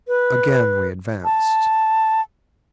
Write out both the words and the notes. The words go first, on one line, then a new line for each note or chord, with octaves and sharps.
Again we advanced.
B4
A5